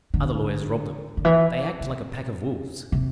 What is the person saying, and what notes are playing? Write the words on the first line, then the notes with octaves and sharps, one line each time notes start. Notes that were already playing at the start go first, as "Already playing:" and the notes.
Other lawyers rob them. They act like a pack of wolves.
D3
D3
E3
C3
C3